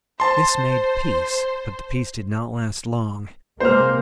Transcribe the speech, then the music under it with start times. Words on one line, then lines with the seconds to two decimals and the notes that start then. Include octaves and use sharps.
This made peace, but the peace did not last long.
0.20 C5 A5 C6
3.60 C3 G#3 A#3 C5 F6